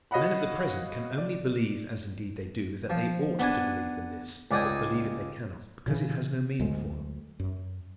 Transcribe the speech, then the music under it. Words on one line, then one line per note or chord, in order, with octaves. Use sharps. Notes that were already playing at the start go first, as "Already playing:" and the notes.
Men of the present can only believe, as indeed they do, that they ought to believe in this; but believe it they cannot, because it has no meaning for them.
F#4 C#5 D#5 F5 F#5 B5
D5
F3
B3 D4 G#5
C#2 D5 D#5 G5 G#5
A#2 C#3 E3
D2 F#3 G#3
F#2